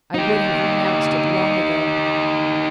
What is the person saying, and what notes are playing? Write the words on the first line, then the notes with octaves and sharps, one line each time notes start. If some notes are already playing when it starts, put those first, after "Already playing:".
I would have renounced it long ago.
D#4 G4